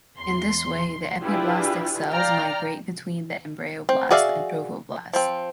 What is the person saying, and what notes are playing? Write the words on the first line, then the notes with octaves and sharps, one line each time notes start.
In this way the epiblastic cells migrate between the embryoblast and trophoblast.
E2 C6
D4 E4 F4 G4 G#4 B4
D5 F5 G5 A#5 F6
C4
F#4 G#4 D5 E5 F5
F3 C4